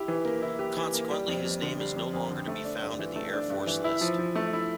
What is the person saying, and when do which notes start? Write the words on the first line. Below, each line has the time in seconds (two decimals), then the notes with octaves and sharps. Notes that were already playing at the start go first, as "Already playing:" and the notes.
Consequently, his name is no longer to be found in the Air Force List.
Already playing: E4 G4
0.08 E3
0.25 A#3
0.42 E4
0.59 G4
0.77 E3
0.94 A#3
1.11 G3
1.28 F2
1.45 F2
1.62 D3
1.79 G3
1.96 F2
2.13 F2
2.30 D3
2.47 A3
2.64 D4
2.82 G2
2.99 E3
3.16 A3
3.33 D4
3.50 G2
3.67 E3
3.84 E4
4.01 F3
4.19 F3
4.36 A3
4.53 E4